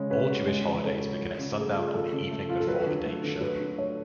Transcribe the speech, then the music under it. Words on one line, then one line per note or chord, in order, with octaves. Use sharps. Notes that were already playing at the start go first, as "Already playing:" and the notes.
All Jewish holidays begin at sundown on the evening before the date shown.
Already playing: C#3 G#3 C#5
C#4 B4
F#4
G#3
C#3
C#4 A4
F#4
F3
C#3
A3 G#4
F4
F3 A4
C#3
A3
F4
A4
F#3 B4
D3
A3
D3
F#3 B4
D3
A3 C#5